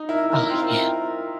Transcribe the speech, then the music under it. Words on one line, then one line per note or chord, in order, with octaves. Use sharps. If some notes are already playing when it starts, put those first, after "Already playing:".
Oh, yeah
Already playing: D#4
E4 A#4
A#4
E4
C4 F4
A#4